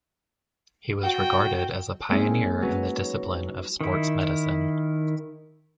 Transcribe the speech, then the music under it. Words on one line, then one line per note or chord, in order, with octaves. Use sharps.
He was regarded as a pioneer in the discipline of sports medicine.
F#4 G5
G#3 A#3 C4 D#4 E4 G#4
F#3 C#4 B4
D#3 E4